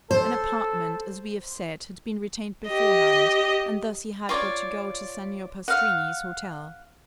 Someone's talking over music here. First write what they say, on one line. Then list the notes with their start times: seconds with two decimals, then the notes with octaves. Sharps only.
An apartment, as we have said, had been retained beforehand, and thus he had but to go to Signor Pastrini's hotel.
0.11 A4 C5
2.68 G4 D#5
4.29 F4 C#5 D5
5.68 F5 F#5